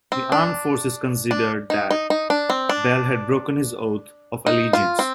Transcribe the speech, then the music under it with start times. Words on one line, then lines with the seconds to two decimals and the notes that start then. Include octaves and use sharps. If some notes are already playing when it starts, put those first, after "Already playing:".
The armed forces considered that Bell had broken his Oath of Allegiance.
0.12 C4
0.32 D4
1.31 D4
1.70 D#4
1.91 D#4
2.10 D#4
2.30 D4
2.50 C4
2.69 D4
4.47 D#4
4.73 F4
4.99 C4